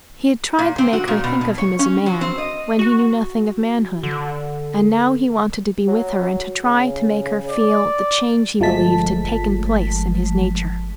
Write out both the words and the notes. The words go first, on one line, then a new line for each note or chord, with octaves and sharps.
He had tried to make her think of him as a man when he knew nothing of manhood and now he wanted to be with her and to try to make her feel the change he believed had taken place in his nature.
A#2
C4
F#4
A#2
B2
B2
C#5
C#4
F#3
C4
D#5
F#4
D3
F#3
C#3
D5
G1 F3 G#3 A3 A5 B6